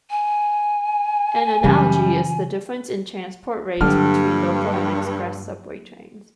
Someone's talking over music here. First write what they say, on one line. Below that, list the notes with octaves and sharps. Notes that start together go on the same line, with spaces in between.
An analogy is the difference in transport rates between local and express subway trains.
G#5
F#2 C#3 E3 G3
G2 D3 F#3 A#3 F6